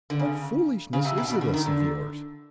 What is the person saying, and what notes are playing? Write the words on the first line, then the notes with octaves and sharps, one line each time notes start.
"What foolishness is this of yours?"
D3
C#3
C#3
C3
B2
B2
D3
D#3
D3